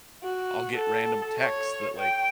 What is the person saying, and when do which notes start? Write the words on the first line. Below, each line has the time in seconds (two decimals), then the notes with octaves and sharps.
I'll get random texts that like,
0.24 F#4
0.76 A4
1.40 C#5
1.99 G5